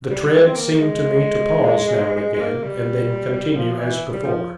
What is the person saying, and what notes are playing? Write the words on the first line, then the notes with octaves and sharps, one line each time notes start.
The tread seemed to me to pause now and again, and then continue as before.
G3
G3
G#3
C4
A#3
G#3
G#3
G#3
A#3
G3
F3
E3
G3
F3